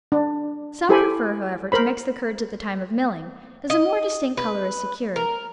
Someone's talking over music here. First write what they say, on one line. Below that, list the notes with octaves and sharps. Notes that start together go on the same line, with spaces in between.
Some prefer, however, to mix the curds at the time of milling, as a more distinct color is secured.
D4
E4 G4 A4 C5 G#5 B5
A#4 C5 B5
D#5
B4
A#4